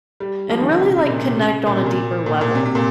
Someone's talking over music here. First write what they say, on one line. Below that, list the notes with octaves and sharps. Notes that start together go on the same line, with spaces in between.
and really, like, connect on a deeper level.
G3
F3
D#3
C#3
C3
C#3
C3
A#2
C3
C3
C#3
A#2
C3
A#2
A#2
A#2
C3
C3
A#2